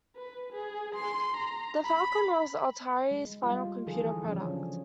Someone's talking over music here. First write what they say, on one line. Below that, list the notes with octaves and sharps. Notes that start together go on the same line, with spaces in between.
The Falcon was Atari's final computer product.
B4
G#4
C6
A#5
B5
G#3
G3 F4
D3 E3 F3 D#4 G#4 A4
C#3 F3 F#3 C#4 D4